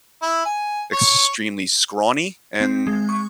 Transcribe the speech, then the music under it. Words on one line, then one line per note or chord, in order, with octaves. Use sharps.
extremely scrawny, and
E4
G#5
C#5
C4
G#3
C#6